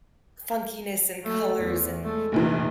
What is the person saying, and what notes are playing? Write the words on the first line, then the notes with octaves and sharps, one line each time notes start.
funkiness and colors, and
F#3 A3
E2
G#3 A3
F1 A#1 A#2 D#3 E3